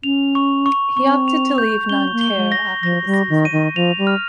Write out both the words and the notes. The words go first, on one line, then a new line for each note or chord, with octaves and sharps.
He opted to leave Nanterre after the season.
C#4 F7
C#6
C#6
C4 C#6
F7
G6
C#4 G7
A#3
G7
G#3
A#6
F3 A#6
G3
A#6
D#3
D#7
D#3
F3 F7
G3
F6